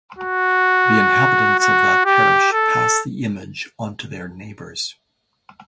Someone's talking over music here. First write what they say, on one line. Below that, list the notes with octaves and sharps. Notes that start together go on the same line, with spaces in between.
The inhabitants of that parish pass the image onto their neighbors.
F#4
F#4
G4
A4